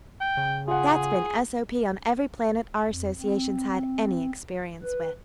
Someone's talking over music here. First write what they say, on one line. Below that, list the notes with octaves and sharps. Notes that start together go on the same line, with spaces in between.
"That's been SOP on every planet our Association's had any experience with."
G5
C#3
F4 G#4 F#5
F2
C4
B4